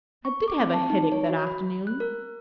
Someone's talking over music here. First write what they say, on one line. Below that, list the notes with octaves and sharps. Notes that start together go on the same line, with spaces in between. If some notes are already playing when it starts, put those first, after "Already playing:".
I did have a headache that afternoon.
C#6
D6
C4
A5
D#4
C#5
F#4
B5
F#6
A#4